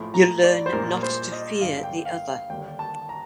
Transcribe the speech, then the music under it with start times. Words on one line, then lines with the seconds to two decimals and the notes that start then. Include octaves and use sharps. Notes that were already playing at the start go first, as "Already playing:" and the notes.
You learn not to fear the other.
Already playing: A#1 A2 F3
0.14 A#5
0.43 D5
0.66 C5
0.72 A#1 A#2 G3 A#4
1.03 C5
1.32 D#5
1.61 G1 G2 D3 G3 F5
1.83 G5
2.05 F5
2.28 F5
2.50 D#2 D3 G3 G5
2.79 A5
3.09 A#5